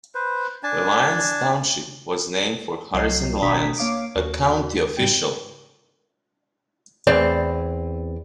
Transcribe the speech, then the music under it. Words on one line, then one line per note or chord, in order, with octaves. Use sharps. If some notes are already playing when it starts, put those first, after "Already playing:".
Lyons Township was named for Harrison Lyons, a county official.
B4 C5
D4 G#5 A5
C2 F#3 D#5 C7
G#1 B2 D4 A#5 D#6 B6
A#3 C#5 F5 D6 D7
D#2 F#4
G#2 G3 G5
E2 C4 D5